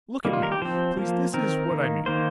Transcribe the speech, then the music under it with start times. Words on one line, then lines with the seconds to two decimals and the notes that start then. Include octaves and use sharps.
Look at me, please--this is what I mean....
0.25 D#3 G3 A#3
0.33 F4
0.43 A#4
0.52 G4
0.62 F3 C4 C5
0.97 F3 A#3
1.34 D#3 C4 A#4
1.71 D#3 A#3
2.06 D#3 A#3 C5